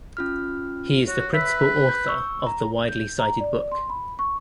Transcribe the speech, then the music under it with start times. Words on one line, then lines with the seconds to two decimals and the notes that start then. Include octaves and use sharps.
He is the principal author of the widely cited book.
0.17 C#4 F4 F6
1.08 F#4 C#5
1.34 B4 E5 E6 B6
1.89 G6
2.06 C#6 E6
2.47 A#5
2.89 G6
3.19 A#5
3.40 D5
3.72 C6
3.90 B5
4.19 C#6